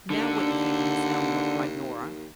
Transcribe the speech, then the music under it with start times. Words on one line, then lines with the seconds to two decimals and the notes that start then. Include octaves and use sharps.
"Now, what do you think of Miss Eleanor?" cried Nora.
0.10 D#2 D3